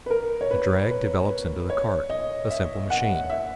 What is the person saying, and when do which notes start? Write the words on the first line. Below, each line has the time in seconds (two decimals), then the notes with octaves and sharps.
The drag develops into the cart, a simple machine.
0.06 B4
0.10 A#4
0.41 C#5
0.51 B4
0.91 B4
1.30 B4
1.70 C#5
2.10 D#5
2.50 E5
2.90 F#5
3.30 E5